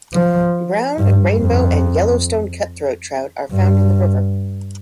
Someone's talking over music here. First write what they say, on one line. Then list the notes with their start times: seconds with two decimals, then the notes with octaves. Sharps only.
Brown, rainbow and Yellowstone cutthroat trout are found in the river.
0.13 F3
0.98 G2
1.40 F2
3.51 G2